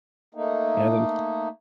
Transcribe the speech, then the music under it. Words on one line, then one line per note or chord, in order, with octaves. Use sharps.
and it's
A3 A#3 D#4